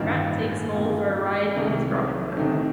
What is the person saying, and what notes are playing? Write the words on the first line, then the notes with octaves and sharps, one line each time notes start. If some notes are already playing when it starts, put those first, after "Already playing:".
Rat takes Mole for a ride in his rowing boat.
Already playing: A1 G2 D#3 A#3 F4
A1 G2 D#3 A#3 F4
C2 C3 D#3 A3 D#4
C2 C3 D#3 A3 D#4